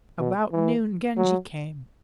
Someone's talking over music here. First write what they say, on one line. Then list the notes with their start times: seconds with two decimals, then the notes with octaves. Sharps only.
About noon Genji came.
0.20 B2
0.52 E3
1.17 F#3